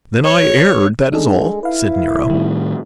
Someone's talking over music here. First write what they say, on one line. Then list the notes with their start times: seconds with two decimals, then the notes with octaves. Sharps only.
"Then I erred, that is all," said Nero.
0.24 C#5
1.12 G#3 D4 D#4 A4
1.63 E4 B4 F5
2.30 A2 D#3 G3